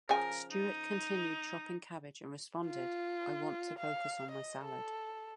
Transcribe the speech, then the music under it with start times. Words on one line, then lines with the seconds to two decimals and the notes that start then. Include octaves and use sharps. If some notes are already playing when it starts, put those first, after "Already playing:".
Stewart continued chopping cabbage and responded: I want to focus on my salad.
0.09 C#3 F3 A#4 G#5
0.51 D#4
2.66 F4
3.79 F5
4.31 D#5
4.65 A4